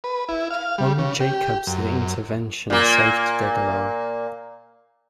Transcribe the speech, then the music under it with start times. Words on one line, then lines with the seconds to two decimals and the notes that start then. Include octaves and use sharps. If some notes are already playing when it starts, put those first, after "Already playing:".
Only Jacobs' intervention saved Degelow.
0.04 B4
0.29 E4
0.51 F5
0.78 G3
0.98 C#3
1.20 G4
1.67 F#2
2.70 A#2 A#3